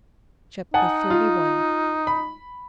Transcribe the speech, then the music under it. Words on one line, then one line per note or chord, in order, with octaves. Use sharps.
Chapter XXXI.
D#4 F#5 G#5 A5
F4
B5